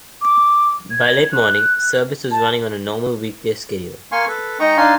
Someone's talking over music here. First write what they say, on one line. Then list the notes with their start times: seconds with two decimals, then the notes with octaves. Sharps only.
By late morning service was running on a normal weekday schedule.
0.21 D6
0.90 G#6
1.31 F#6
2.31 A5
4.12 A#3 F5 G#5 C6 C#6
4.28 A4 B4
4.60 G#3 D#4 D#5 G5 A#5 C#6
4.77 D4 D#4 F5 G#5 A5 C6